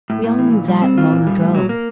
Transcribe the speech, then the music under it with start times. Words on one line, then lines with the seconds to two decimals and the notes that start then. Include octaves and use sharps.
'We all knew that long ago.'
0.10 A2
0.24 A2
0.39 E3
0.52 A#2
0.68 G3
0.82 C4
0.97 F4
1.12 A#2
1.27 G3
1.41 A2
1.55 F#3
1.69 A#3